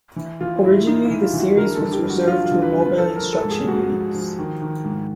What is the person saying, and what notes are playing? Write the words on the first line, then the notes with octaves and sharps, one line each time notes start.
Originally the series was reserved for Mobile Instruction units.
E3
E3 F4
A2 E4
A2 D#4
E4
E3
F4
E3
F#4
D3 A#4
A4
G2
G4
G2
F#4
F3 F4
F4
D3
B4
G2
B4
F3 A4
A#4
F3
A4
G#2
G#4
G#2 F#4
F3
F3
D#3
D#3
G#2